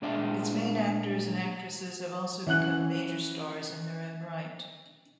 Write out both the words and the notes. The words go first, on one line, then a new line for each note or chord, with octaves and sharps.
Its main actors and actresses have also become major stars in their own right.
A#2 G#3 D4 D5 E5 C6
E3 C#4 F#5 F#6 F#7